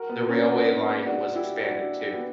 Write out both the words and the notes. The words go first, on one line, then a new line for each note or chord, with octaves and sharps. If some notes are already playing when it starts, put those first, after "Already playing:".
The railway line was expanded, too.
Already playing: F#4 A#4
B3
A#3 C#4
B3 D4
D4 F#4
E4 G4
D4 F#4
B3